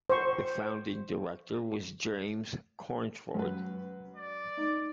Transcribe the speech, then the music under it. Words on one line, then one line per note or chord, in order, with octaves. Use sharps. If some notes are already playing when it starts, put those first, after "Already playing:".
The founding director was James Cornford.
C5 C#6
F#2 B4
D5
D#4